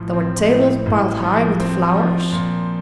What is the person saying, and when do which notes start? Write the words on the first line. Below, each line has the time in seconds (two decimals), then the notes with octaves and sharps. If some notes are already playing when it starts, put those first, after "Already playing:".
There were tables piled high with flowers.
Already playing: A1 A2 F3
0.13 C4
0.50 A2
0.86 A1
1.23 F3
1.60 C4
1.96 F3
2.32 A#2